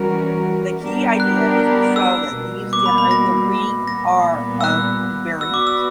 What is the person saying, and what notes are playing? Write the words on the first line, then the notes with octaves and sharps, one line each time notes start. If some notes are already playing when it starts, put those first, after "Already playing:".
The key idea is to show that these generate the ring "R" of invariants.
Already playing: E3 G3 C#4 F#4 A#4
G3 B3 D4 G4 A#4
F#6
E6
B2 G3 A#3
D6
B5
B5
A#6
A#2 G3 B3 A#6
E6
F#6
B3 F#4 B4 D5 E6
D6
E6